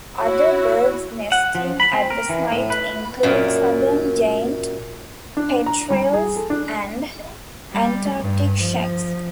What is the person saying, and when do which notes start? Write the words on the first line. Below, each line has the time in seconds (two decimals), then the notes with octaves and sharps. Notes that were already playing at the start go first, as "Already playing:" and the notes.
Other birds nesting at the site include southern giant petrels and Antarctic shags.
0.18 E4 F#4 C#5
1.32 F#5
1.55 F3
1.80 B5
1.93 C4
2.10 A#4
2.29 E3
2.52 A2
2.70 B4
3.23 F#2 A#2
5.37 D4
5.66 A#5
5.90 G3
6.13 G#4
6.36 A4
6.50 D4
7.73 G3
8.20 G2
8.61 F3